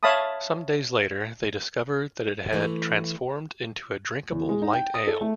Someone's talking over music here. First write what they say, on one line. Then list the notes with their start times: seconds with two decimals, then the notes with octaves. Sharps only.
Some days later they discovered that it had transformed into a drinkable light ale.
0.03 C#5 E5 F5 A5 B5 D#6
2.53 E3 A3
4.32 E2
4.49 G#3
4.62 D#4
4.73 G5
4.94 D#6
5.07 A4
5.21 A3